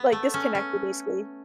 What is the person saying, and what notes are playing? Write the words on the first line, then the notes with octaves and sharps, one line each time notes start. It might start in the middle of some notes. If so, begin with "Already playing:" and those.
like, disconnected, basically.
Already playing: B3
A3
C#4
C#4